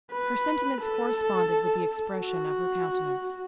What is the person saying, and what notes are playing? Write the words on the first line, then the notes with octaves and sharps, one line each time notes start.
Her sentiments corresponded with the expression of her countenance.
B4
A4
F#4